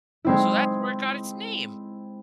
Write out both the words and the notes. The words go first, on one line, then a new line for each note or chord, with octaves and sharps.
so that's where it got its name.
G#3 C4 E4